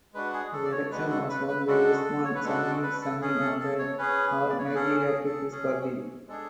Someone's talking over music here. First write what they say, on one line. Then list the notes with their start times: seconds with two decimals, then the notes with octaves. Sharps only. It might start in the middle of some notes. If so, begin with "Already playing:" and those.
The election was won by Usman Sanni Sami of the All Nigeria Peoples Party.
0.14 G#3 D4 F#4 B4
0.33 G#4
0.53 A4
0.65 D5
0.72 C#5
0.91 G#3 D4 F#4 B4
1.10 A4
1.29 B4
1.48 B4
1.67 G#3 D4 F#4 A4
2.25 C#5
2.35 B4
2.44 G#3 D4 F#4 A4
2.63 A4
2.83 B4
3.01 A4
3.22 C#4 G#4
3.40 A4
3.60 A4
3.78 C#5
3.98 C#4 G#4 B4
4.50 D5
4.58 C#5
4.66 B4
4.75 C#4 G#4 A4
5.00 G#4
5.26 A4
5.51 C#4 G#4
6.28 G#3 D4 G#4 A4